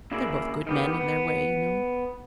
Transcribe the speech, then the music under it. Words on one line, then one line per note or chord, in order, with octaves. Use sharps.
"They're both good, men in their way, you know."
C#3 A#3 D4 E4 G#4 A#4
D#3 B3 G4
B3